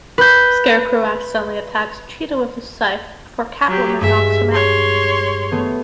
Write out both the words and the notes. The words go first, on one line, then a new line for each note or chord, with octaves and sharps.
Scarecrow accidentally attacks Cheetah with his scythe before Catwoman knocks him out.
B4 G6
F#3 G4
G2 G#3 E5
C#5 C6
A3 B3 G#6